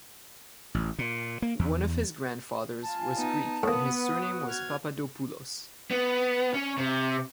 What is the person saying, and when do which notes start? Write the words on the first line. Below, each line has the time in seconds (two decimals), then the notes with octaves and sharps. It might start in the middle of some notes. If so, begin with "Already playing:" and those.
One of his grandfathers was Greek and his surname was Papadopoulos.
0.74 A1
0.98 A#2
1.42 A#3
1.59 E2
2.83 F4 G#5 A5
3.15 B3 D#4
3.63 A2 A#3 B3 B4 F#5 D#6
4.17 F#4
4.48 F6 G#6
5.91 B3
6.54 C#4
6.78 C3